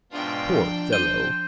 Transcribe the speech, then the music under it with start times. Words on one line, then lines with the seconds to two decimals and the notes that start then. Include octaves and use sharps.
Poor fellow!
0.12 G#2 B2 D4 F4 G5
0.47 F3
0.93 C5 G6 D#7 G7